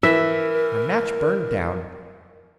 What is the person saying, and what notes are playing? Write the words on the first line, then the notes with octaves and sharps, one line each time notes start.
My match burned down....
E3 A#4 E5